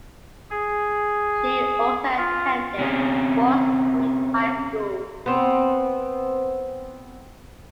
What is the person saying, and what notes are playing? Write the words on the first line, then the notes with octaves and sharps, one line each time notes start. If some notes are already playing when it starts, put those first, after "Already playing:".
She also attended Fort Street High School.
G#4
F4
C3 C#4
B3 C4